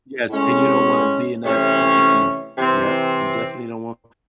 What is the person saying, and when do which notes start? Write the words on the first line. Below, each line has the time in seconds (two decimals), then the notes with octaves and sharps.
Yes. And you don't wanna be in that predicament. Yep. You definitely don't want
0.29 A2 G#3 C#4
1.44 C3 E3 A3 C#4
2.57 C3 E3 C4